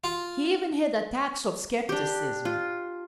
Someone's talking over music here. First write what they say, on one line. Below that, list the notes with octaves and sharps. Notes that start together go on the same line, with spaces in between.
He even had attacks of scepticism.
F4
D4 G4
F4